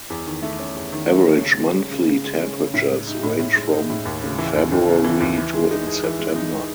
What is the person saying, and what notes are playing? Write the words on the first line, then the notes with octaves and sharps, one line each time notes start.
Average monthly temperatures range from in February to in September.
E2
D#3
A3
C#4
E2
D#3
A3
C#4
C#3
G#3
C#4
C#3
C#3
G#3
C#4
C#3
A2
G#3
D#4
A2
A2
G#3
D#4
A2
D#2
C#3
E3
D#2
D#2
C#3
E3
D#2
E3
G#3
D#4
G#4
E3
G#3
D#4
G#4